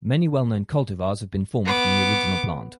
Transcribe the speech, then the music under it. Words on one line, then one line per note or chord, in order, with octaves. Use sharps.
Many well known cultivars have been formed from the original plant.
B3 D6